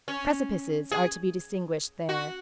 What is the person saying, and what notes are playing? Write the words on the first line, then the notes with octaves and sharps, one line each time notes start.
Precipices are to be distinguished there.
C#4
G#4
F#4